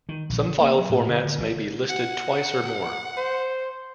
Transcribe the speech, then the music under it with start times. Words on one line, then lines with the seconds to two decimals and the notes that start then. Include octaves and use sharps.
Some file formats may be listed twice or more.
0.09 D#3
0.29 A#1
0.43 D3
0.61 A#3
0.78 F#3
0.90 A2
1.08 D3
1.25 D3
1.38 A1
1.90 F#5
3.18 C5